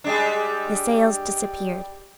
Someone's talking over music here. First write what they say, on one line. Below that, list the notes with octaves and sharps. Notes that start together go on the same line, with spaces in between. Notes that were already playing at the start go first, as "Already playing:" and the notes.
The sails disappeared.
G3 G#3 D4